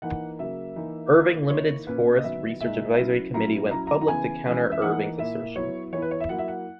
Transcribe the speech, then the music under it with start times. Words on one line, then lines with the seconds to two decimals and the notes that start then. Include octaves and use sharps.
Irving Limited's forest research advisory committee went public to counter Irving's assertion.
0.02 E3 A#3 D#4 F#5
0.39 C#3 F#3 A#3 E5
0.76 E3 A#3 D#4
1.13 D#3 A#3 E4
1.50 D#3 A#3 E4 C#5
1.87 A#2 A#3 C#4 B4
2.18 D#5
2.24 D#3 F#3 B3 E5
2.61 A#2 G#3 D#4 E5
2.97 F#3 C#4 E4
3.34 A#2 F#3 C#4 E4 A#5
3.71 F#3 C#4 E4 A#5
3.87 A#5
4.01 A#5
4.08 C#3 E3 B3 E4 G#5
4.45 E3 G#3 C#4
4.72 E5
4.82 E3 A#3 D#4 F#5
5.19 A#2 A#3 E4 E5
5.56 F#3 B3 E4 C#5
5.92 E3 B3 E4 C#5
6.02 B4
6.11 C#5
6.20 E5
6.29 F#3 A#3 E4 F#5
6.38 E5
6.48 F#5